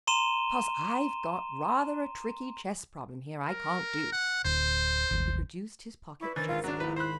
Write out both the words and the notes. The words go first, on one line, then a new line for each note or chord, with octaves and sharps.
"Because I've got rather a tricky chess problem here I can't do." He produced his pocket chess-board.
A#5 C6 D#7 E7 G7
A#4
F#5
D1 C5
D#1 G#1
E4 B4 D5 C#6
D#3 E3 D4 A#4 C5 A6
G#1 F4 A6
F#3 D4 A#5
A#1 E4 B4
C5 B5 F#6 C7